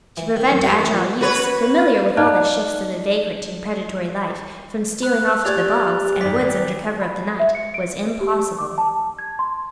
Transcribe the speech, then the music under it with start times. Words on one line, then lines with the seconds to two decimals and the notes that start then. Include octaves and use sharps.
To prevent agile youths, familiar with all the shifts of a vagrant and predatory life, from stealing off to the bogs, and woods under cover of the night, was impossible.
0.17 E3
0.36 D#3
0.50 F#2
0.64 G4
0.79 E3
0.91 A#1
1.21 F#4 B4 C#5
2.17 D#4 D5 D#5 A5 F6 F#6
5.02 B5 F#6
5.45 G4 G#4 D5 G#6 A6 F7
6.21 G#1 D#3 D5 B6
7.02 B5
7.40 E5
7.55 C#7
7.74 D7
8.21 G4
8.59 D6
8.78 A5
9.19 G#6
9.39 C6